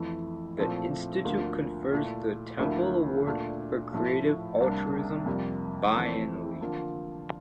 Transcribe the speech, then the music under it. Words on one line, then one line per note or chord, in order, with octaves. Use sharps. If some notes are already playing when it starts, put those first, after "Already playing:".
The institute confers the Temple Award for Creative Altruism, biennially.
Already playing: F2 E3 A3 E4
A#2 F3 A3 C4 E4
D2 D3 F3 A#3 F4
A#2 A3 E4
D2 D3 F3 A#3 E4
A#2 A3 D4
A2 F3 A3 E4
C2 C3 G3 A#3 D4
F2 C3 G3 A#3
F2 E3 A3 C4
D3 F3 A#3 F4